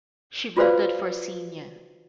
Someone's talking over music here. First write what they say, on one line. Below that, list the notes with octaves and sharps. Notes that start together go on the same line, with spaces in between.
She voted for Xenia.
F4 F#4 B4 C5 D5 F5